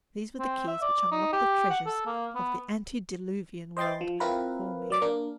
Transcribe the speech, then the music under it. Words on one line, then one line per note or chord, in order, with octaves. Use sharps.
These were the keys which unlocked the treasures of the antediluvian world for me.
C4
E5
D5
D#4
G4
F#5
A4
A#3
B3
C5 D#5 G5 C6 A6
F3
C4 E4 F4 A#4 B4
F#3 D5 D6
A#3 D4 A#4